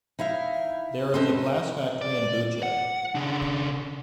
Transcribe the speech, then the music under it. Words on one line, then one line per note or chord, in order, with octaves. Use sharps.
There is a glass factory in Bucha.
D#4 E4 E5 F5
C4 C#4 D#4 A4 B4 C5
D5
F#5
C#3 D4